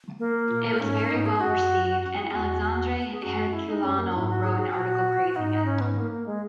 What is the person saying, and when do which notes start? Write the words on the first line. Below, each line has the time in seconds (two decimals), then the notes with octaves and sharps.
It was very well-received, and Alexandre Herculano wrote an article praising it.
0.19 A#3
0.49 A#2
0.80 G#2 C#4
1.10 G#2 D#4
1.26 G#4
1.40 F#2 F#4
2.01 F#4
2.12 F#4
2.17 G#4
2.25 E4
2.32 E2 F#4
2.62 F#4
3.11 G#4
3.23 F#2 F#4
3.53 E4
3.68 D#4
3.83 F#2 C#4
3.99 A#3
4.14 G#2 E4
4.29 F#4
4.44 G#4
4.59 F#4
4.74 A#2 F#4
5.36 G#2 D#4
5.65 C#4
5.81 B3
5.96 A#3
6.11 A#3
6.26 G#3